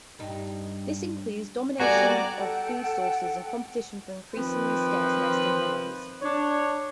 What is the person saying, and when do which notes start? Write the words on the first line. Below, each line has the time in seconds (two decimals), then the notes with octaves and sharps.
This includes domination of food sources and competition for increasingly scarce nesting hollows.
0.19 G2 D#4
1.80 G3 B3 F#4 A4 D5 G#5 A#5
2.36 A4 F#5 G5
4.35 D#3 F3 C4 B4
6.22 D4 C#5